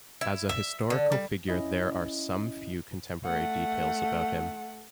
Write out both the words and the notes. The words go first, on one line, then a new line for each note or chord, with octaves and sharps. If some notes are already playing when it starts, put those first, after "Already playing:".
As a historical figure there are some few contemporary details about him.
E4
E5
D3
G3
C#4 E4 D#5
A3 F#5